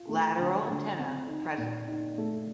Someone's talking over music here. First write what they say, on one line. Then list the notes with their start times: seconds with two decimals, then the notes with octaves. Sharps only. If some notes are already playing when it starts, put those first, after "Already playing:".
Lateral antennae present.
Already playing: F4
0.09 A3
0.39 D3
0.69 D3
0.98 C4
1.28 D#4
1.58 A#2
1.88 D#4
2.18 A3